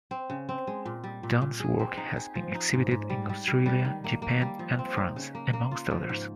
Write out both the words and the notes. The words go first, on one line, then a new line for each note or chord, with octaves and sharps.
Done's work has been exhibited in Australia, Japan, and France, amongst others.
C4
C#3
C4
G#3
A#2
G3
A#2
A#2
G#4
C4
D#4
G#4
F3
D#4
G#2
G#2
G3
G3
G3
G3
D#3
A#3
A#3
G3
F3
C4
D#4
C#3
A#3
A#3
F4
F3
G#2